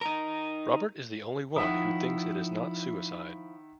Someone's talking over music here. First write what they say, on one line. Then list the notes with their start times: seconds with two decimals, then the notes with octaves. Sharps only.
Robert is the only one who thinks it is not suicide.
0.01 D#4 A#4
1.56 D#3 F3 E4 E5 F#5 D#6